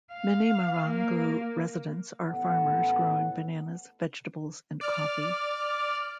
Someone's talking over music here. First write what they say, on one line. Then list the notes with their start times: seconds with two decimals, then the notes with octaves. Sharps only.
Many Marangu residents are farmers growing bananas, vegetables and coffee.
0.13 F5
0.86 A#3
2.27 A1 B3 A4 F#5
4.81 D5 F6